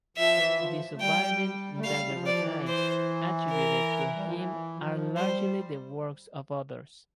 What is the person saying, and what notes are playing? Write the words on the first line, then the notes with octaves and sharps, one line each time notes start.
The surviving Daguerreotypes attributed to him are largely the works of others.
F3 E5
E3
F3
A3
G3 G5
A3
G3 F5
E3
F3
D5
E3
C5
A#4
G3
F3
E3
F3
G3 C5